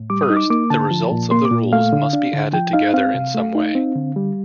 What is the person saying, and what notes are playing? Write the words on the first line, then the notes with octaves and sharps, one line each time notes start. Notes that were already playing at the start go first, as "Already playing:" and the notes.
First, the results of the rules must be added together in some way.
Already playing: A2
G3 D6
D#6
D#4
D6
A#3 D6
D3 A5
F3
A#2
A#3 C6
D6
A#2
A3 F5
D3
D4
D3
F3 G5
D#4 F5
C4 F5
C3
A3
D#4
C4
D3
G3